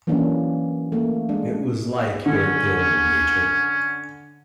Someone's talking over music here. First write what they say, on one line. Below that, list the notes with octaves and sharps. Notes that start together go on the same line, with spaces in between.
It was like your ill-nature.
E3 F#3 A#3 C#4 D4
A3 A#3
G#3 D4
D3 C#4